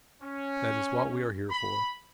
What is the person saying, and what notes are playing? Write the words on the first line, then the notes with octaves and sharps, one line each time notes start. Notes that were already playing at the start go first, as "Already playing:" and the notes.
That is what we are here for.
C#4
B5